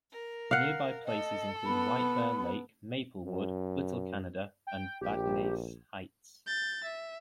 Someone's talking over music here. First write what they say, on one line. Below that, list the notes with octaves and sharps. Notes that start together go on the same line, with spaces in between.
Nearby places include White Bear Lake, Maplewood, Little Canada, and Vadnais Heights.
A#4
F5 F#5
A4 D#5
B3 B5
F#2
G5
A#1 G4
G6 A6
E5